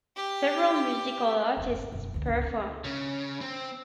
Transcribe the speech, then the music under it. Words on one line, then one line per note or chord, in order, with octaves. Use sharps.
Several musical artists performed.
G4
F#1 F2
G#1
E1 F#2
D2 G#3
C#2 G2
C4
C#3
C4